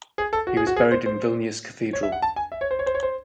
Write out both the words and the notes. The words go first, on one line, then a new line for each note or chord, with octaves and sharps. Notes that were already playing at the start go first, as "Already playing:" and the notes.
He was buried in Vilnius Cathedral.
G#4
A4
F#4
G#4
F#4
G#4
C5
C5
C#5
E5
F#5
A5
G#5
E5
C#5
C5
C#5
C5
C#5
C5